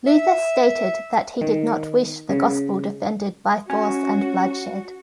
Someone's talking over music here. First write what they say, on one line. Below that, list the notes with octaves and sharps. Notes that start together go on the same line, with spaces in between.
Luther stated that he did not wish the Gospel defended by force and bloodshed.
E5
D#3
C#3
C#4 F#4